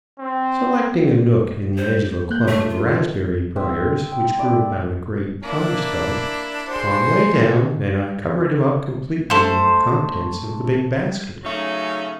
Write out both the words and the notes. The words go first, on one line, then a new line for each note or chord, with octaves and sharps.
Selecting a nook in the edge of a clump of raspberry briars which grew about a great pine-stump, Tom lay down, and I covered him up completely with the contents of the big basket.
C4
C5
A#3 F#6 G6
A3 A4 C#5
F4
C4 E5 D#6 E6
G5
E4 D5 E5
A#3 D4 E4
F#4 G#4 C5 C6
A3 C5
C#3 F#3 A3 C#4 D#4